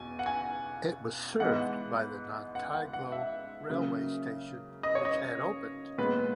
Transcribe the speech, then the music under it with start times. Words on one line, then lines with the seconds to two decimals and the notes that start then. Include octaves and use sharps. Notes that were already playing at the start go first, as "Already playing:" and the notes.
It was served by the Nantyglo railway station which had opened.
Already playing: E2 B2 G#5
0.19 F#5
0.26 G#5
1.40 G#2 E3 G#3 B3 F#5
2.55 F#5
2.74 F#5
2.93 F#5
3.12 E5
3.69 C#3 F#3 A#3
4.83 D#5
4.95 C#5
5.05 D#5
5.98 A#2 G#3 B3 B4